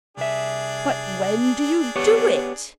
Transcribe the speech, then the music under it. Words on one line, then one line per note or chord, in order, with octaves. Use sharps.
"But when do you do it?"
C2 D4 G#4 E5
B3 G4 C#5